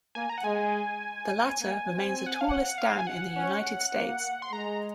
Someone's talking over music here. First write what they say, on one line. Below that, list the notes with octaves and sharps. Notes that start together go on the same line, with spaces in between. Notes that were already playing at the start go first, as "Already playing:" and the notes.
The latter remains the tallest dam in the United States.
A#3 G#5
A#5
F#5
G#3 G#5
A#3
C4
G#5
F#5
G#5
F5
F#5
F5
G#5
F#5
C#4
A#3
C6
G#3 A#5